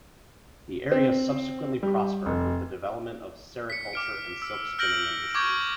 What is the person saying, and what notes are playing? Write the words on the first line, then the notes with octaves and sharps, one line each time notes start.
The area subsequently prospered with the development of sericulture and silk spinning industries.
C4
G3
F1
B6 C#7
D6 F6 D7
E6
E6 F6 G6 A#6 D7 F#7
C#6 D6 G6 G#6 D7